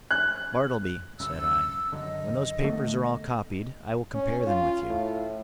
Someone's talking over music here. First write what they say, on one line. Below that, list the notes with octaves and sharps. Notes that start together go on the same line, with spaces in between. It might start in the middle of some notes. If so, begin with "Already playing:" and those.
"Bartleby," said I, "when those papers are all copied, I will compare them with you."
F#6
C#2 F#2 C#3 E6
F#2 D3 D#5
D3 A3 B3
C#4
F4
A2